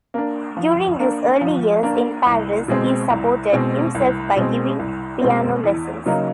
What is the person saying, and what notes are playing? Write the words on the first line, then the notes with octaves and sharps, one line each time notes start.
During his early years in Paris he supported himself by giving piano lessons.
A#3 D4
F3
A#3 D4
F3
A#3 D4
C2
B2 G#3 C4
C2
B2 G#3 C4
C2
B2 G#3 C4
C2
B2 G#3 C4
E2
C#3 F#3 A#3 D#4